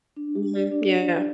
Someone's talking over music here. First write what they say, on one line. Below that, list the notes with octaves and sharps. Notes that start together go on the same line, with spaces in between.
Mhm. Yeah.
D4
G4
D5
D4
D4
D4